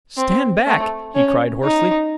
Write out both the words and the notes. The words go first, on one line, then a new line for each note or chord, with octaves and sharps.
"Stand back!" he cried, hoarsely.
C4
A3
C#4
D#4